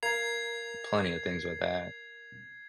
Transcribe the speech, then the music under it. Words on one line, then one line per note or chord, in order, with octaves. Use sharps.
plenty of things with that.
A#4 F5 A#5 G#6 C7 F7